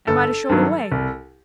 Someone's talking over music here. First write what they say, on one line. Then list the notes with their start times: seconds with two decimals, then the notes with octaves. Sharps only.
Am I to show the way?'
0.07 G1 A4
0.49 G2 D#3 F#3
0.92 C2